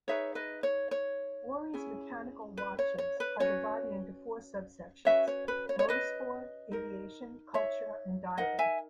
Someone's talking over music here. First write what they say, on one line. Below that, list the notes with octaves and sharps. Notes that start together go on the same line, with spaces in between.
Oris' mechanical watches are divided into four subsections: Motor Sport, Aviation, Culture and Diving.
D#4 G#4 B4 C#5 E5
B4 D#5
C#5
C#5
C#4 E4 G#4
B4
C#5
C#5
B4
C#4 F#4 B4 C#5
C#4 F#4 B4 C#5 E5
C#5
B4
C#5
C#5
B4 D#5
D#4 A#4
C#5 E5
D#4 A#4 D#5 F#5
E5 G#5